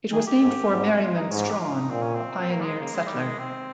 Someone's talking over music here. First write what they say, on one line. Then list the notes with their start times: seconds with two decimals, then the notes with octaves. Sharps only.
It was named for Merriman Straughn, a pioneer settler.
0.12 D#3 G#4
0.27 G4
0.42 G#2
0.72 G#2
1.02 F4
1.16 D#4
1.30 G#2 C#4
1.46 G4
1.60 F4
1.75 D#4
1.90 A#2 C4
2.02 C#4
2.15 C4
2.41 C4
2.50 A#3
2.60 G3
2.65 G#3
2.79 C#3 A#3
2.94 G#3
3.08 D#3 G3
3.20 G#3
3.38 C4